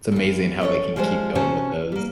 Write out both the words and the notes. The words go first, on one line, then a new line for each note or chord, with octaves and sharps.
it's amazing how they can keep going with those.
E2 G2
C#4 A4 C#5
F3 G3 G#3 F4 C5
C3 C#4 F#4 C5 F#5 A5
G3 A#3